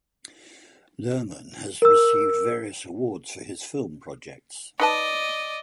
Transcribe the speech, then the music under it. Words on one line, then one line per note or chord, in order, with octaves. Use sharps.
Luhrmann has received various awards for his film projects.
A#4 E6
D#4 B4 D5 D#5 A5